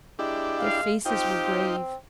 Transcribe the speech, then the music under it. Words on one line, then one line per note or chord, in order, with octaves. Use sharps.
Their faces were grave.
G#3 D4 E4 G4
F5
C4 D#4 F4 G4 G5